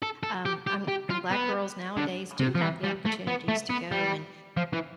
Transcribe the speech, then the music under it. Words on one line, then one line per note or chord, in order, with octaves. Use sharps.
Um, I'm I'm glad girls nowadays do have the opportunities to go and
A4
A4
G4
G4
G4
F4
B3
D3
C3
F3
E3
G3
A3
B3
A3
B3
G3
F3
E3